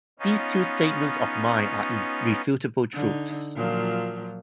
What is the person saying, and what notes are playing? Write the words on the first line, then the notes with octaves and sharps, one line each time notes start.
These two statements of mine are irrefutable truths.
B3 C#4 D#4 F4
D3 D#4
A#2 F3 F#3